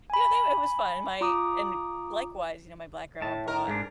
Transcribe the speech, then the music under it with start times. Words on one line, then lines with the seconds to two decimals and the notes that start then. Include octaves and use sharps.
you know, they w it was fun, and my and likewise, you know, my black grandma brought,
0.10 G#5 B5
1.21 F4 A#5 D6 D#6
3.22 A2 A5
3.48 A#4
3.68 G#2 D4